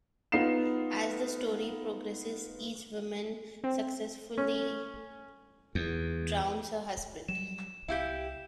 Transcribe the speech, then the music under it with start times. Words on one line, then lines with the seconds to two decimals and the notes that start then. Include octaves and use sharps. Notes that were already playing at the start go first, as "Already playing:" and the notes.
As the story progresses, each woman successively drowns her husband.
0.32 B3 D#4 F4 C7 E7
3.64 C4
4.38 C#4
5.75 E2
7.29 F#3 G3 E7
7.88 C2 E4 F#4 G4 E5 F5 G6